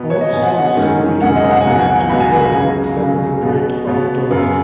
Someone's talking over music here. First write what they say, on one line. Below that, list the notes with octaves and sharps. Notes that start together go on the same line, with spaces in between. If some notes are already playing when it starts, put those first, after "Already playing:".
All songs written by Martin Gore, except The Great Outdoors!
Already playing: B2 B3
C#5
D#5
B2 B3 G#5
F#5
D#5
F#5
F#2 D#3 G#3 C#4
F#2 D#3 G#3 C#4 F#5
D#5
F#5
G#5
C#2 B2 F#3 B3 F#5
G#5
F#5
C#2 B2 F#3 B3 B5
G#5
F#5
G#5
C#2 C#3 F#3
C#2 C#3 F#3
B2 B3
B2 B3
F#2 C#3 B3